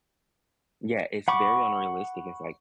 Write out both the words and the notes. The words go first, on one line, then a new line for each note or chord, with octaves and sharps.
Yeah, it's very unrealistic. It's, like,
F#5 B5 C#6 D6